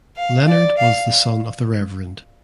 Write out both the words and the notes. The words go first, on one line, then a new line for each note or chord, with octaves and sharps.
Leonard was the son of the Rev.
F5
D5
F5